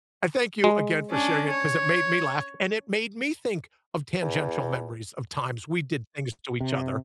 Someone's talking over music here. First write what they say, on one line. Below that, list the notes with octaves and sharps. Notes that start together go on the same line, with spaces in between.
I thank you again for sharing it 'cause it made me laugh, and it made me think of tangential memories of times we did things to each other,
G#3
C#4 D4
C#5
E2
C3